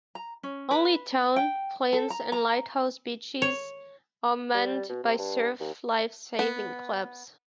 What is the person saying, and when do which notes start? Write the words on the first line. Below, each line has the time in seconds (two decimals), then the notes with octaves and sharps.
Only Town, Flynns and Lighthouse Beaches are manned by Surf Life Saving Clubs.
0.15 A#5
0.43 C#4
0.71 B4
1.36 G5
1.93 A4
2.10 A#5
2.32 A#5
3.42 C#5
4.54 G3
4.89 B2
5.04 C3
5.19 G2
5.60 D#2
6.39 B3